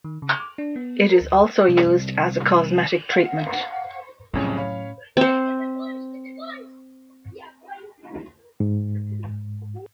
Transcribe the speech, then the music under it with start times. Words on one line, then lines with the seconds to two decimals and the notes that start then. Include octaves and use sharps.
It is also used as a cosmetic treatment.
0.04 D#3
0.22 C#3
0.40 D6
0.58 D4
0.76 B3
1.09 A#4
1.21 D2
1.68 C2
3.10 F5 F#5
4.34 C2 F2 A2 C#3 F#3 C#4
4.57 C#5 F5 B5
5.17 C4 C5
8.60 G#2